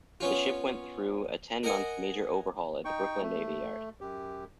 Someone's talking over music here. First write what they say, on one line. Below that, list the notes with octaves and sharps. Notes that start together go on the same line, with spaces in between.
The ship went through a ten-month major overhaul at the Brooklyn Navy Yard.
B3 C#4 F4
A#4 D#5 F#5 G#5
D#4 G5 C#6
A3
F#2 G4